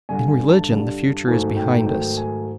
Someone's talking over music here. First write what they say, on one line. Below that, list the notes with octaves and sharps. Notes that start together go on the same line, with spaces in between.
In religion the Future is behind us.
G2 D3 G3 G#5
G#5
A5
G2 D3 G3
G#2 D#3 F#3 A3 G#5
G5
G#2 D#3 F#3 A3 G5
G#5